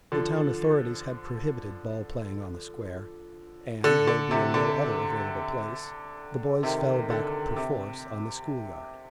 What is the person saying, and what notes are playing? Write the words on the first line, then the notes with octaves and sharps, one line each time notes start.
The town authorities had prohibited ball-playing on the Square, and, there being no other available place, the boys fell back perforce on the school-yard.
D3 F3
D3
D3
C3
D3
C3 D#3
D3
C3